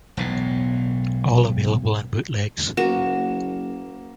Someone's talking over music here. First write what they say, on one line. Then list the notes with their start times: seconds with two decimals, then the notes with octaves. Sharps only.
All available in bootlegs.
0.17 E1 B1 A2
2.77 F#1 A#3 F#4 E7